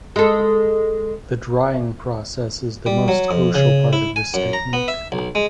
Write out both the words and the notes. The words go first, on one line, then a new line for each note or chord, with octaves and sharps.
The drying process is the most crucial part of this technique.
G#3 A4
G3
F#3
F2
C#3
E4
G#5
F#2
A#5
B3
E5
B1
G#3